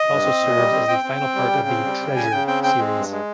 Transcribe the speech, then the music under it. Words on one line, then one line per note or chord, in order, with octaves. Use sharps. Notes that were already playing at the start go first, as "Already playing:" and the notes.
It also serves as the final part of the "Treasure" series.
Already playing: D#5
G2
C4
A#2
G3
C4
C4 G5
C4
C4
G3
C#3
C4
G3
C#3
C#3 G#5
C#3 G5
C4 G5
C4 G5
G#3
G2
G#3